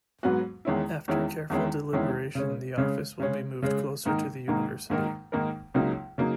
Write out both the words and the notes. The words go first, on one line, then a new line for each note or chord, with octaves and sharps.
After careful deliberation, the office will be moved closer to the University.
G#2 F#3 B3 F#4
E2 D#3 G#3 C#4 E4
E2 D#3 G#3 C#4 E4
E2 D#3 G#3 C#4 E4
E2 D#3 G#3 C#4 E4
C#3 G#3 C#4
C#3 G#3 C#4
C#3 G#3 C#4
C#3 G#3 C#4
G#2 D#3 A#3 D#4 A#4
G#2 D#3 A#3 D#4 A#4
G#2 D#3 A#3 D#4 A#4
G#2 D#3 A#3 D#4 A#4
C#2 C#3 F#3 A#3 D#4
C#3 F#3 A#3 D#4